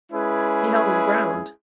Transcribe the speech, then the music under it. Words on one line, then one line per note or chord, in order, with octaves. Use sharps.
He held his ground.
G#3 C#4 E4 G#4 B4